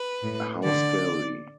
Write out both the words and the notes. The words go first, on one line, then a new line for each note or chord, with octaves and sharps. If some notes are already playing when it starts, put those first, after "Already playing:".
How scary!
Already playing: B4
A2
D3 D5